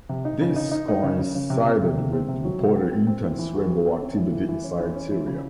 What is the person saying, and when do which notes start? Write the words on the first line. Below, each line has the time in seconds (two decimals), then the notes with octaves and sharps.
This coincided with reported intense rebel activity inside Syria.
0.09 C3
0.25 D#4
0.41 C#3
0.56 D#4
0.72 D#4
0.88 D#4
1.03 C#3
1.18 C#3
1.35 C#3
1.50 C3
1.66 C4
1.82 C3
1.97 C3
2.13 C4
2.28 C3
2.44 F#3
2.60 C3
2.76 C4
2.91 C4
3.07 C4
3.23 E3
3.39 E3
3.54 F#4
3.70 C4
3.86 C4
4.01 C#4
4.17 E3
4.32 E3
4.49 E3
4.64 C#4
4.80 E3
4.95 C#4
5.11 E3
5.27 C#3